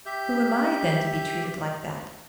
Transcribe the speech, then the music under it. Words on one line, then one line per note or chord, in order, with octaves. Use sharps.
Who am I, then, to be treated like that?
G4 E5 G6